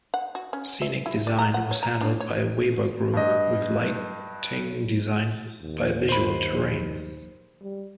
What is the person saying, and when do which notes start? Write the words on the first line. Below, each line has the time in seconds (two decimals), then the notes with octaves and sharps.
Scenic design was handled by Weber Group with lighting designed by Visual Terrain.
0.14 F#5
0.35 F#4
0.53 C#4
0.82 E5
1.06 E4
1.27 D5
1.39 A#5
1.54 F#5
1.71 C#5
1.83 A#5
2.01 D4
2.20 C#5
3.13 G2 D#5
5.62 D#2
6.09 C5 B5
7.62 G3